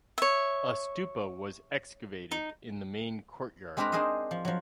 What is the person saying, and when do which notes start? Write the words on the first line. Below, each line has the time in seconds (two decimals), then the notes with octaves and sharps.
A stupa was excavated in the main courtyard.
0.18 C#5 E5
2.31 D#4
3.77 G#3 C4 D4 A#4 B4 A#5
3.92 D4 D#4 G#4 A#4 C5 D#5
4.31 F3
4.45 F3 F#3